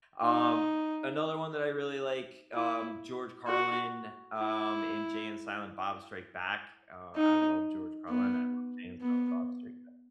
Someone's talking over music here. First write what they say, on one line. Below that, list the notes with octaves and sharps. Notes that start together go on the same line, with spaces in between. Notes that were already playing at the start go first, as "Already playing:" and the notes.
um, another one that I really like, um, George Carlin, um, in Jay and Silent Bob Strike Back, uh, I love George Carlin, I love Jay and Silent Bob Strike Back
D#4
E4
F#4
E4
D#4
B3
B3